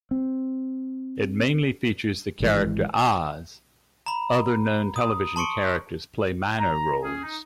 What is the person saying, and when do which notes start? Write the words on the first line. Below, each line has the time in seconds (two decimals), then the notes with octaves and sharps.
It mainly features the character "Oz", other known television characters play minor roles.
0.11 C4
2.40 G#1 E3 G#3
4.06 A#5 B5
4.96 D#6
5.36 A5 C6 C#6 C#7 D7
6.59 A#5
7.03 C#4 G#4
7.23 D#4